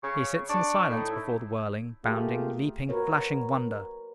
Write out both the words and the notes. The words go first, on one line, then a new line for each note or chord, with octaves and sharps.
He sits in silence before the whirling, bounding, leaping, flashing wonder.
C#3 C#6
D4 C#6
A2 D#4
E4
A3 A#3 F4 G4 G#4
F#4 A#4 B4 C#5